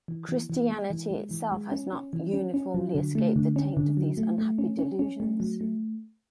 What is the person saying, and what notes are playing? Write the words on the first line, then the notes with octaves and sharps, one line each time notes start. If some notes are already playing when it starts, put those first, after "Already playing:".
Christianity itself has not uniformly escaped the taint of these unhappy delusions.
E3
E3
E3
G#3
E3
G#3
E3
G#3
C#4
C#4
E3
C#4
C#4
F#3
D3
A3
D3
C#4
D3
F#3
A3
A3
C#4
C#4
C#4
A3
F#3
A3